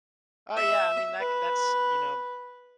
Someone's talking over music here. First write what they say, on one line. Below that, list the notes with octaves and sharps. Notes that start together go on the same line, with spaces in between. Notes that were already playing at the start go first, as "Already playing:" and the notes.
Oh, yeah. I mean, that g that's, you know,
E5
B4